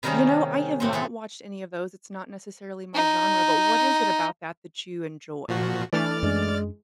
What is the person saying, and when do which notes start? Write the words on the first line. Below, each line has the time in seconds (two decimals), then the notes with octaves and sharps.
You know, I have not watched any of those. It's not necessarily my genre, but what is it about that that you enjoy?
0.03 C3 D#3 G3 A#3 C#4 G#4
0.80 A2 C4 F#5 C6
0.93 E3 G#4 A4
2.95 D#4
5.49 A#2 F3 F#4
5.93 E3 A3 D4 D5 F6 A6
6.23 F#2 G#3 D4